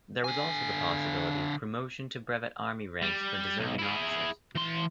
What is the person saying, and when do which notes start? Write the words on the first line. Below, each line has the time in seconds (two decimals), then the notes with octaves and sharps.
There was also the possibility of promotion to brevet army ranks for deserving officers.
0.24 D3 G#5
3.02 G3
3.59 B1
3.79 E4 G#4
4.55 E3 C6